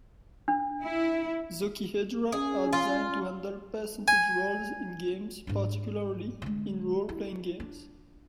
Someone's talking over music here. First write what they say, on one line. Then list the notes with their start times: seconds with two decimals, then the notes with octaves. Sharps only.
Zocchihedra are designed to handle percentage rolls in games, particularly in role-playing games.
0.48 D4
0.82 E4
2.32 C#4 G#4
2.73 F4
4.08 G#5
5.47 G#2 D4
6.42 D3 G#3
7.09 E4
7.60 D4